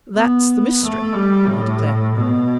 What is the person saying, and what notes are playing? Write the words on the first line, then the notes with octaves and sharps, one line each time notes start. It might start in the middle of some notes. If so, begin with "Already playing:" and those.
"That's the mystery," he declared.
B3
A3
G3
A2
B2